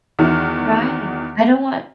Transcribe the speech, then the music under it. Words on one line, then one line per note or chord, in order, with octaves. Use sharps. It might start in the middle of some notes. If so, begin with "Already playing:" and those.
Right. I don't want
E2 D#3 E3 F#4 F6